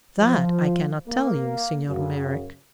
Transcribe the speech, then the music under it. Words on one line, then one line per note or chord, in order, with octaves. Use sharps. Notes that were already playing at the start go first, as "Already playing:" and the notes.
"That I cannot tell you, Signor Merrick."
F3
A#3
F#2 C#3